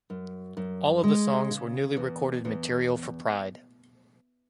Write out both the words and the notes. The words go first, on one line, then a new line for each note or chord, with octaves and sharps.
All of the songs were newly recorded material for Pride.
F#2
F#2
G#3
C#3
E2
E2